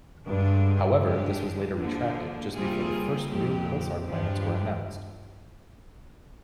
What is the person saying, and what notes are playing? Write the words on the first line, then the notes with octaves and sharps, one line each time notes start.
However, this was later retracted, just before the first real pulsar planets were announced.
G2 D3 G#3 D4
D3 G#3 D4 G4
D3 F3 A#3
C3 G3 A#3 F4 G#4
F2 A#2 G#3 C4 G4
G2 F3 G#3 D4 G4